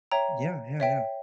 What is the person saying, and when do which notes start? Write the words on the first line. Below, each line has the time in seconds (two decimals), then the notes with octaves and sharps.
Yeah, yeah, yeah,
0.12 C#5 E5 G5 A#5
0.80 C#5 E5 G5